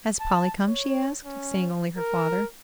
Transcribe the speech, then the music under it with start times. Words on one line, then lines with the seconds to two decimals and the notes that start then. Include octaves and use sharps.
"Has Polly come?" she asked, seeing only her father.
0.21 A5
0.67 C#5
1.25 C#4
1.98 A#4